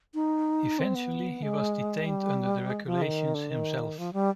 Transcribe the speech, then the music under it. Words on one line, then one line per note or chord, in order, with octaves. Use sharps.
Eventually he was detained under the regulation himself.
D#4
C4
B3
G#3
G3
G#3
F3
D#3
D3
D#3
F3
G3